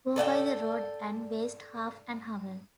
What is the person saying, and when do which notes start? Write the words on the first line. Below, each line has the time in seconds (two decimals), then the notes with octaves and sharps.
Go by the road and waste half an hour!
0.16 A4 D5 F#5 G5